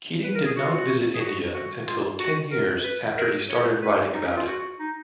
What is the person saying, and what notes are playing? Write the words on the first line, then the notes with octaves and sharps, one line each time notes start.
Keating did not visit India until ten years after he started writing about it.
B4
A#4
G#4
F#4
F4
F#4
G#4
F#4
F#4
F4
F#4
A#4
B4
A#4
C#5
B4
D#4
C#4
F4
F#4
D#4